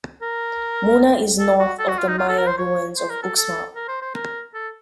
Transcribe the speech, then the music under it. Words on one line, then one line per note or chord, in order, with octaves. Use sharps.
Muna is north of the Maya ruins of Uxmal.
A#4
A4
F#4
A4
F#4
F4
D#4
F4
A4
A#4
C5
C#5
C5
A#4
A4
A4
A#4
C5
C5
A#4
A4